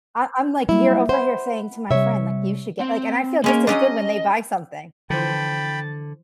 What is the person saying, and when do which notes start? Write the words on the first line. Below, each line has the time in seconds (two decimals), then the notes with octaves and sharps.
I I'm, like, here over here saying to my friend, like, "You should get" like, and I feel just as good when they buy something.
0.69 F#3 G3 A#3 E4
1.09 C5 F#5 B5
1.91 C3 G3 C#5 E5
2.81 C4
3.44 G#3 A#3 C#4 A#4
3.67 F#3 C#4 D4 D#5
5.10 D3 E3 F3 C5 G5 A5 B5